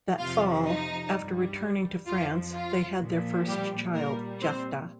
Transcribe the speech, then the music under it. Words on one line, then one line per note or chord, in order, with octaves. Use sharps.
That fall, after returning to France, they had their first child, Jephta.
F2 C3 F3 F4 F5
D#4
G2 G3
F2 F3 F4
F4
A#2 F3
G3 G4
A#2 G3 A#3 A#4
C4 C5